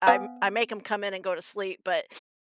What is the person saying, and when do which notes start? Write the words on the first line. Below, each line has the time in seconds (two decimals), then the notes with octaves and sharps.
I m I make 'em come in and go to sleep, but,
0.07 B3 F5 G#5